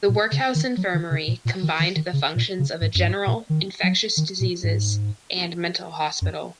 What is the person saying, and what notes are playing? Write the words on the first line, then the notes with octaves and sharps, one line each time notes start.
The workhouse infirmary combined the functions of a general, infectious diseases, and mental hospital.
A#2
C#3
D#3
F#3
D#3
C#3
A#2
A#2
D#3
D#3
D#3
C#3
A#2
C#3
G#2
F#2
G#2
A#2
D#3
F#3
D#3
A#2
G#2
F#2